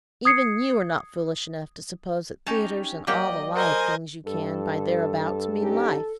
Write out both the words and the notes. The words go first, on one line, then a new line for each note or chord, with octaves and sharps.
Even you are not foolish enough to suppose that theatres and all the live things you can buy thereabouts mean Life.
D#6 G#6 C7 C#7
C#4 D#4 G4 A5
F#3 A#3 G4 D5 D#5 G5
A#4 C5 D#5 G#5
G2 A4
C#4 D#4 G4